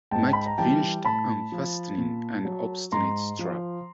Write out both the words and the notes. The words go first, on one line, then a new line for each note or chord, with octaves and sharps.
Mike finished unfastening an obstinate strap.
G#2 G5 A5
B5
A#5
E3 G3 G5 A5
A2 A5 B5
F3
A#2
F#3
G#2 A#5 C6
F3